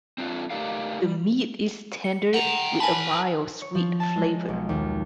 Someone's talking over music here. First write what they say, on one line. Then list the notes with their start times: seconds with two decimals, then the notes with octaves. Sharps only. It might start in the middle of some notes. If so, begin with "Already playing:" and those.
The meat is tender with a mild sweet flavor.
0.18 C4 D4 F4
0.50 A3 D#4 G4 A#4 D5 F5
1.01 G3
2.04 C#7
2.34 F#5 G5 A#5
2.80 A#4 G#5 A5 B5
3.62 C#5
3.75 F3
4.00 A5
4.16 G#3
4.48 B1
4.69 D#2